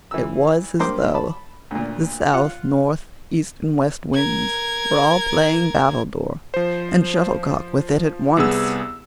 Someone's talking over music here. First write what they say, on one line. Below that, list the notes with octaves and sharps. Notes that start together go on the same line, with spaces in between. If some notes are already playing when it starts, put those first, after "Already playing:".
It was as though the South, North, East, and West winds were all playing battledore and shuttlecock with it at once.
E3 E6
G2 A#3 C5 D6
A5 B5
D2 A#2
F4 F#5
A#4 G#6
F3 C5
C2 B3 G#4 E6